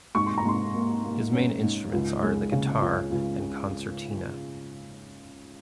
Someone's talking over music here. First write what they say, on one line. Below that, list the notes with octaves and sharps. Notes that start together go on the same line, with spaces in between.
His main instruments are the guitar and concertina.
G#2 C#6
C6
A#5
G#2 C6
A#3
A#3
C#4
G#2
C#2
G#3
C#3
C#2
C#2